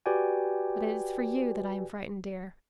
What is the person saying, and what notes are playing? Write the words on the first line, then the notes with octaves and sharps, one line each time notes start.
But it is for you that I am frightened, dear.
F#4 G4 B4 D5 G5 G#5